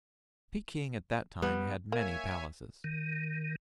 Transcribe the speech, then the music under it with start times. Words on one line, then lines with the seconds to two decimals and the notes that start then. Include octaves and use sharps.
Peking at that time had many palaces.
1.42 G3 B3
1.92 A#3 C#5 E5 G#5
2.84 D#3